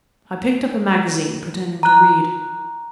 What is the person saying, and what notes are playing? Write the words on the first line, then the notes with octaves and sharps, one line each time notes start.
I picked up a magazine, pretending to read.
A#5 F#6